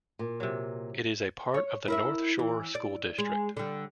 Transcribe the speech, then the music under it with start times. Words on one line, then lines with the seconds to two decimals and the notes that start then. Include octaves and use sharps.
It is a part of the North Shore School District.
0.19 A#2
0.40 C3 F#3
1.54 C#5
1.88 E4 A#4 E5
2.39 E3
2.75 D5
3.18 G#3
3.57 D3 G3